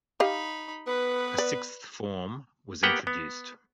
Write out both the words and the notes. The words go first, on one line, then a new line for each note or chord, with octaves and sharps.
A Sixth Form was introduced.
D#4 G4 D#5 F5 B5
B3 B4
D5
A#3 B3 G4 F#5 G5
B3